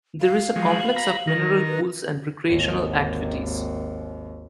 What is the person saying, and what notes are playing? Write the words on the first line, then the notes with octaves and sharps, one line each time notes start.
There is a complex of mineral pools and recreational activities.
F5
F3 F#3 G#3
A#5 B5
D#3 A#4
B4
G#1 D#2